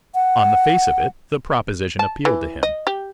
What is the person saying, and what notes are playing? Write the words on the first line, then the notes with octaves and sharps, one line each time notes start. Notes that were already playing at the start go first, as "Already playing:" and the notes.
On the face of it, the proposition appealed to him.
F#5
A5
E3
D#5
G4